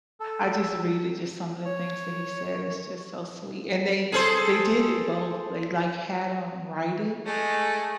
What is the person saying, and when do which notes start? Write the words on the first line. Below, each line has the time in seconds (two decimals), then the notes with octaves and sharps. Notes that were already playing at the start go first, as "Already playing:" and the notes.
I just read it, just some of the things that he said, it's just so sweet and they they did it both. They, like, had him write it
0.20 A4
1.66 C#5
4.12 G#4 A4 C5
7.27 G#3 A3